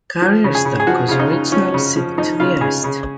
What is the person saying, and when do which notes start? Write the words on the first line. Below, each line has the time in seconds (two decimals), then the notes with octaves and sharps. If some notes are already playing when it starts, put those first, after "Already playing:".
Carriers' Dock was originally sited to the east.
0.22 F3
0.44 C#3
0.55 G#4
0.65 C#3
0.80 G#4
0.87 F3 F#4
1.09 C#3 F4
1.19 D#4
1.31 C#3
1.52 F3 C#4
1.74 C#3
1.96 F3
2.18 F3 D#4
2.40 C#3 F4
2.61 C#3 G#4
2.84 C#3